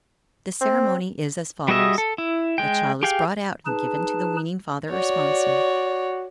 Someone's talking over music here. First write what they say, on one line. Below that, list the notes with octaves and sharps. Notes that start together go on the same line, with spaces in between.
The ceremony is as follows:--The child is brought out and given to the weaning father or sponsor.
C4
G3 F#4 G#4 D#5 E5
A4
E4
G#3 G5
G4 G#4 F5 G5
D#4 G#4 B4 A5
F#4 C#5 D5